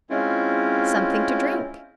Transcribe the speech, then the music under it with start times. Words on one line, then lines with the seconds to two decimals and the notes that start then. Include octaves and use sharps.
"Something to drink."
0.10 G#3 C4 C#4 E4 F4